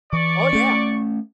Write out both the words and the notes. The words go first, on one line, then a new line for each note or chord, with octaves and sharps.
Oh, yeah.
E3 D5 C#6
A3 C#4